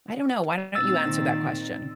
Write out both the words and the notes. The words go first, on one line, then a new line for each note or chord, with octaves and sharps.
I don't know, why don't you answer that question?
A#2 D#3 C4 E6 A6